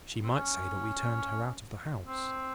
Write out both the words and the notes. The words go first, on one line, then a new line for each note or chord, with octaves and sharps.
She might say that we turned her out of the house.
C4
C#4
C4